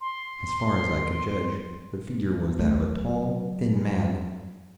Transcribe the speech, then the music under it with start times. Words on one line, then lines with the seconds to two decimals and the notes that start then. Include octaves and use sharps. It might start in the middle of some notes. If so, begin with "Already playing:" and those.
As far as I could judge, the figure was that of a tall, thin man.
0.01 C6
2.59 F#3 A3